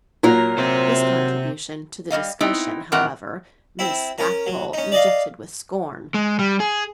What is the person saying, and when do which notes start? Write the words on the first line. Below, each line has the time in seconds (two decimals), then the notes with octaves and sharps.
This contribution to the discussion, however, Miss Stackpole rejected with scorn.
0.23 A#2 F#3 A#4
0.57 C3 C4 C5
2.10 G3 A3 D#5 F5
2.41 B3 C4 D#4 E4
2.92 D#3 E3 C4 A#4 F#5
3.79 C4 E4
4.18 C#4 A#4
4.46 F#3
4.73 C#4 D#4
4.92 D5 D#5 F5
6.14 G#3
6.39 G3
6.60 G#4